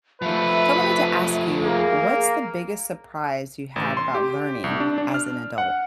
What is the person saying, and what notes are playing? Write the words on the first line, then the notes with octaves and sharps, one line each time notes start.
Mm, so I wanted to ask you, what's the biggest surprise you had about learning as an adult?
F3 A3 B4 E5
A#3 G#4
A1
C6
G4
C2
D4
D4
F6
F#5